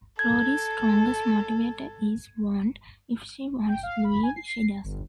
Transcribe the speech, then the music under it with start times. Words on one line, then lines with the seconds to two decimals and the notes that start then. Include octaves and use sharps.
Rory's strongest motivator is want - if she wants to do it, she does.
0.19 A4 G#6
3.68 G5
3.83 F5
4.04 B5
4.23 G#5
4.36 C7
4.84 G1